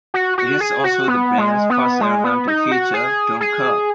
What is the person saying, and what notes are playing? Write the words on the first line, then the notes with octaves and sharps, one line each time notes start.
It is also the band's first album to feature Don Kerr.
F#4
F#4
G#4
F#4
B3
G#3
B3
G#3
B3
D#4
F#4
G#4
G#4